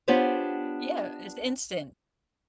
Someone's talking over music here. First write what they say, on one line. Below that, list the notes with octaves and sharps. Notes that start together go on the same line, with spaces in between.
Yeah, and it's instant.
B3 D4 F4 G4 C5 C#5